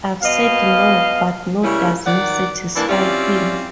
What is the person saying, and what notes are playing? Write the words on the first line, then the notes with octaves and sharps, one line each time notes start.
I've said no, but no doesn't satisfy him.
B2 D#5 F5
C#3 G3 A#3 C#4 E4
D#3 D5 F#5
G2 E3 A#3 D4 E4
C4 C#4 E4 F4 G4 D5